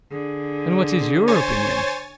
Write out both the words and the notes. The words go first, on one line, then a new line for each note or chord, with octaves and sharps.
"And what is your opinion?"
D3 G#4
C5 C#5 G#5 A6